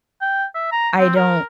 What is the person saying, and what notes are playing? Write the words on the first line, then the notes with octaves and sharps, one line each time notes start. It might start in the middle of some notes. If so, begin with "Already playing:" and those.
I don't
G5
E5
A#5
C4
A#4